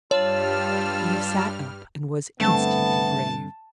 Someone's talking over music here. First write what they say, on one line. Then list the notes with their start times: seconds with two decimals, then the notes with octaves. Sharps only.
Eve sat up and was instantly grave.
0.11 G2 G3 F4 C#5 A5 E6 F6
2.40 G2 D3 A3 B3 C4 A5